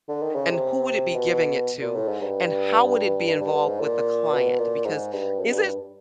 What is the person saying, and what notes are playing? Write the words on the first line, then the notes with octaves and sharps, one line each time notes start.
and who would it be giving it to, and how would it be involved with the client? Because is it"
D3
D#3
C#3
C3
B2
A#2
A2
G#2
G2
G2
G2
G2
G#2
A#2
B2
A#2
G#2
G2
F#2
G2
G2